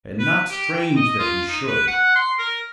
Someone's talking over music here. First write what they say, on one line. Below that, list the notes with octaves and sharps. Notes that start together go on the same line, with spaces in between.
And not strange that he should.
B4
G4
G5
D#5
F4
D#4
B4
F#5
C6
A#4